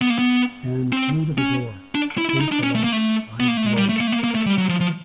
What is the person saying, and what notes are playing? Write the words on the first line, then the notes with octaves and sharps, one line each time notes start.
Ann flew to the door, face alight, eyes glowing.
B3
A#3
B3
C4
C#4
D4
E4
E4
D#4
D4
C#4
A3
A#3
A3
B3
A#3
A3
G#3
G3
A3
A#3
A3
A#3
A#3
A3
G3
F#3
F3
F3